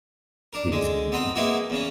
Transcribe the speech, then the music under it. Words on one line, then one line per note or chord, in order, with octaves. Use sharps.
But he's in the clear.
D4 A#4
D3 G#3
B3 C4 D#5 A#5
G#3 A#3 B3 D#4 E4 F#4
E2 C#3 C#4